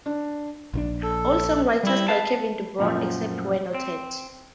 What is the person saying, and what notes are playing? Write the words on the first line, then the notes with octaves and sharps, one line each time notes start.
All songs written by Kevin DuBrow, except where noted.
D4
A#1 D#3 D4
A4
G3 E4
B4 F5 A5
F#2 A#2 D#3 F3
C4